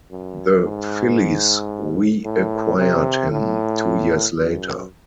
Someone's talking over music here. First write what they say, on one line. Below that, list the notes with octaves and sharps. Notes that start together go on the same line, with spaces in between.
The Phillies reacquired him two years later.
F#2
G#2
A2
C3
A2
F#2